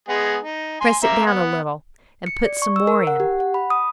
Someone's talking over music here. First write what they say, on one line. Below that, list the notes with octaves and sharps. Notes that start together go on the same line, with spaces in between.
Press it down a little, and put some more in.
G#3 B3 G#4
D#4
G#5 C6
A#3 E5 A#5
B3
C#7
D5
C#6
E6
A#4
F#5
G4
F#5
B5
D#6